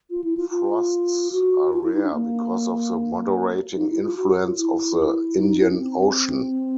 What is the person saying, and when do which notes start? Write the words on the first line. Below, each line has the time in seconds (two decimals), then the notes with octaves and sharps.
Frosts are rare because of the moderating influence of the Indian Ocean.
0.10 F4
0.24 E4
0.37 F4
0.51 F4
1.32 F#4
1.73 F4
1.84 E4
1.93 D#4
2.03 D4
2.14 A#3
3.77 D#4
3.90 E4
4.03 F4
4.17 F#4
4.44 F4
4.58 E4
5.38 D#4
5.50 D#4
5.59 E4
5.69 C#4
5.79 C4